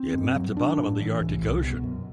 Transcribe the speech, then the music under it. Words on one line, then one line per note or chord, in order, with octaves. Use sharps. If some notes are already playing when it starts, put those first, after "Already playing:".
It mapped the bottom of the Arctic Ocean.
Already playing: C4
G2
F#3
D4
A2
E3
C2
C2
B2
F#2